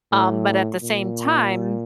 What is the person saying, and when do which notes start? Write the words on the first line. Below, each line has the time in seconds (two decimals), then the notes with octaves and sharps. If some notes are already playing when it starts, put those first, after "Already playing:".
um, but at the same time,
0.12 A2
0.83 A#2